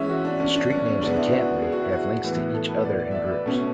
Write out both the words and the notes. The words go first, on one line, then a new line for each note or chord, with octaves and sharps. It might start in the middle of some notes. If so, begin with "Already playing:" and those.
The street names in Cantley have links to each other in groups.
Already playing: E3 G#3 C#4 E5
F#4
D4
C#4
D4
C#4
C#4
C#3 G#3 B3 D4
E4
F#4
G#4
F#4
E4
F#4
A2 E3 B3
A4
B4
D5
D5
E5
D5
B4
B2 A3 C#4 A4